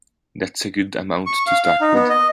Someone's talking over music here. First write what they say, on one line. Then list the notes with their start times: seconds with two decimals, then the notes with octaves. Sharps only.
That's a good amount to start with.
1.26 C#6
1.47 F5
1.64 F5
1.81 D#4
1.94 B3
2.10 D#5